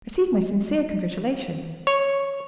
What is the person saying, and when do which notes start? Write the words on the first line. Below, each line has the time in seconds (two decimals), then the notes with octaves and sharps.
"Receive my sincere congratulation."
1.87 C#5